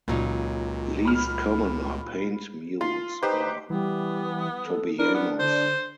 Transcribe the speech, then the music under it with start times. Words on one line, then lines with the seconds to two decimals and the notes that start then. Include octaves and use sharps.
Least common are paint mules or tobianos.
0.08 C#2 A#2 C#3 F#3 D#4
1.05 B5 F6
2.81 F4 C6
3.23 D#4 G4 B4 C5
3.70 E3 G3 B3
4.67 A4
4.99 D4 E4 A#4
5.15 B3
5.39 D3 C5